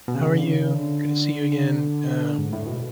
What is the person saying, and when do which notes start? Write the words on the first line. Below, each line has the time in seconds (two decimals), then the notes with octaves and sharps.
how are you, good to see you, again,'" uh
0.08 B2
0.15 C#3
0.37 D3
0.44 C#3
0.73 D3
2.38 G#2
2.52 A2
2.66 B2